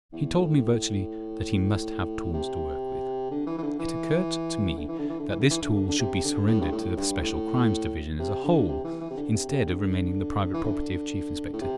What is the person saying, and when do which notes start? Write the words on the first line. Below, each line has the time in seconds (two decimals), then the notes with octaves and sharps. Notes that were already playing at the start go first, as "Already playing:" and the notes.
He told me virtually that he must have tools to work with. It occurred to me that this tool should be surrendered to the Special Crimes division as a whole, instead of remaining the private property of Chief Inspector Heat.
0.12 E2
0.38 A2
2.33 C3
3.31 D3
3.46 E3
3.58 E3
3.63 D3
3.79 E3
4.77 D3
4.88 E3
4.99 D3
5.09 E3
5.19 D3
5.29 E3
5.40 D3
5.50 E3
5.62 D3
5.75 D3
5.89 D3
5.99 C3
6.24 D3
6.47 A2
6.61 G2
6.72 A2
6.97 G2
7.21 A2
8.19 C3
8.44 D3
8.68 C3
8.84 E3
9.01 E3
9.10 C3
9.17 D3
9.34 C3
9.49 C3
9.66 D3
10.54 E3
10.64 D3
11.53 A2
11.61 C3